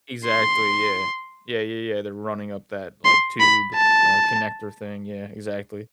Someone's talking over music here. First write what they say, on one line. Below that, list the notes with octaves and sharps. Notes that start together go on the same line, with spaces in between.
Exactly, yeah, yeah, yeah, yeah, they're running up that, like, tube, uh, connector thing, yeah, exactly,
C6
C6
B5
A5